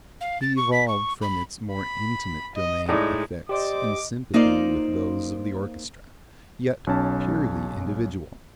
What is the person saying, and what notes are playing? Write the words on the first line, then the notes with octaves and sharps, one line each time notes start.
He evolved from its more intimate domain effects in sympathy with those of the orchestra, yet purely individual.
F5
A6
C#6
B6
C#6
B5
B5
D#5
A2 G#3 D#4 D5
G4 C5 D5 D#5 D6
A#3 D#4 F4 C5 D5
B1 C#4 A5